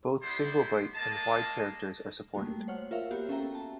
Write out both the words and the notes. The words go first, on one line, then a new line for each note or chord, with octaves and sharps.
Both single-byte, and wide characters are supported.
B3 E4 G4 C5 D5 C6
G#3 A#3 D#5 A5
G3 A3 A#3 F#4
C5 C#5 F#5 F6
F4 A#4 C#5 E5 F5
A#3 B3 F#4 G4
C#4 A4 E5 G5 A#5
A5